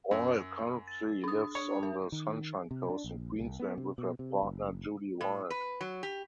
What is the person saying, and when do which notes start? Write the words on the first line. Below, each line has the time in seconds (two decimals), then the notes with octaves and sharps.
Boyle currently lives on the Sunshine Coast in Queensland with her partner Judy Wild.
0.11 F#2
0.87 A6
1.24 D4 D#6
1.55 C#5
1.83 A#4
2.12 D#3
2.71 C3
2.90 D4
3.04 A#1
3.40 C2
3.60 B3
3.78 C3
3.98 B2
4.19 C3
4.43 F#1
5.21 A2
5.50 B4
5.81 F#3
6.03 G4